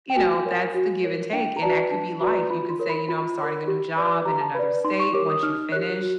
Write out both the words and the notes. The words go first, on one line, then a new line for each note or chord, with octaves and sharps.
you know, that's the give and take, and that could be life; you could say, you know, "I'm starting a new job in another state," once you finish,
G5
F#4 G#5
A#4 C#5
F#4
A#4 C#5
D4 G5
A#5
F#4 B4 D5 A5
D4 A5
F#4 B4 D5 A#5
F4 B5
C6
A#4 C#5
B5
F4 B5
A#4 C#5
G4
B4 D5
G4 A#5
A5
B4 D5 B5
D#4 C6
C#6
G4 A#4 C#5 D6
D#6
D#4 F6
G4 A#4 C#5 F#6
F#4